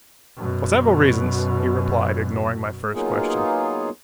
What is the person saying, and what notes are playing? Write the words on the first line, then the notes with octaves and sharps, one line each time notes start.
"For several reasons," he replied, ignoring my first question.
F#2 B2
F#3 A#3 B3 D#4 F4 G#4